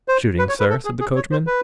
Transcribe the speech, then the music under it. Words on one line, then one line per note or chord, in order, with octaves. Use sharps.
'Shooting, sir?' said the coachman.
C5
B4
C#5
B4
A4
G#4
G#4
C#5
C5
B4